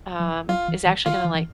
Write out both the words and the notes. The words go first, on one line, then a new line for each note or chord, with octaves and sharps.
um, is actually gonna, like
F3
F#3 F4
E3
E3
D#3 F4
E3
E3